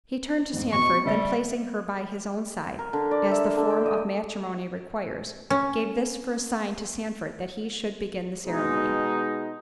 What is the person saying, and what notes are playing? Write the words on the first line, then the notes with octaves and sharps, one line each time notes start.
He turned to Sandford--then placing her by his own side, as the form of matrimony requires, gave this for a sign to Sandford that he should begin the ceremony.
F2 G#2
F2 B2 C#6
C#3 G3 E5 A6
A#4
D3
D5
E5
D3
G5
D#5
C#4
B2 G#3 D#4